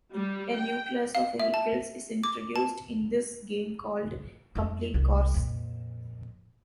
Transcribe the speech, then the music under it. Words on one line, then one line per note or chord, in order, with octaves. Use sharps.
A new class of vehicles is introduced in this game called "Complete Cars".
G3
G5
F5
E5
A5
D6
A5
F2 G3
C2 D4
F2 A#2